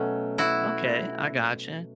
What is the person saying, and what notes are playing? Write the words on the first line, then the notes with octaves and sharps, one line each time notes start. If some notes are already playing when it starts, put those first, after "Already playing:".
Okay, I gotcha.
Already playing: B2 F#3 A3 C#4
E4 F#4